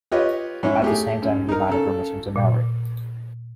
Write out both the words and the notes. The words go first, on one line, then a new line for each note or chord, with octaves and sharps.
At the same time he demanded permission to marry.
F4 G4 B4 C#5 D#5
G#2 C#4 E4
A3 G4 G#4
F#2
D#4 A#4
C#3 A4
A#2